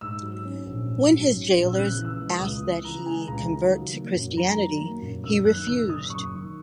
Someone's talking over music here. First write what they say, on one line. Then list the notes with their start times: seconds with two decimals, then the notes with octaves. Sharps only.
When his jailers asked that he convert to Christianity, he refused.
0.01 G#2 E6
0.23 F#3
0.45 C#4
0.67 A#1
0.88 G#2
1.10 F#3
1.32 C#4
1.54 A#1
1.68 E6
1.75 C#3 F#6
1.97 E3
2.05 E6
2.19 G#3
2.33 D#6
2.40 C#2
2.62 C#3
2.84 E3 A#5
3.06 G#3 G#5
3.28 C#2 A#5
3.50 D#3
3.71 F#3
3.93 A#3
4.15 F#2
4.37 D#3 A#5
4.58 F#3
4.80 A#3
5.02 F#2
5.24 F#2 E6
5.45 D#3 F#6
5.67 F#1 E6
5.89 F#1 D#6
6.10 F#2 C#6
6.33 D#3